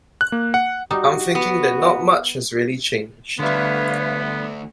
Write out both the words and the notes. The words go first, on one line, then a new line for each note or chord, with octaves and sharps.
I'm thinking that not much has really changed.
F#6
A#3
F#5
G3 D#4 F#4
B3
D2 D3 G3 B3 B4 C#5 E5 F5